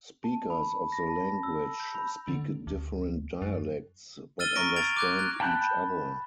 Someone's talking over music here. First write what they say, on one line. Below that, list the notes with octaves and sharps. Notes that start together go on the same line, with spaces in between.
Speakers of the language speak different dialects but understand each other.
A5
B5
A#6
A5
E6
G6
B5
D3
D2
F#2
E6 F6 A6 D#7 G7
A#5 C#6 A#6 D7
G#6 A6 D7 F7
D6 F#6 G#6
F#6
G5 A5 B5 F#6 G6